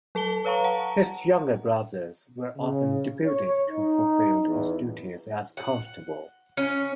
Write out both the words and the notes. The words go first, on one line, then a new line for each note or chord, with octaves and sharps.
His younger brothers were often deputed to fulfill his duties as Constable.
F#3 A4 A5 G7
B4 C#5 F5 A#5 C#6
F#5 A5 A#5
C#3
C#5
D#4
E2
F#5
C#4